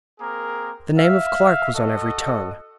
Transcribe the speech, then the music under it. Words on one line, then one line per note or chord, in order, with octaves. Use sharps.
The name of Clark was on every tongue.
A#3 C4 G#4 A#4
E5 F5
F#4 A4 D#5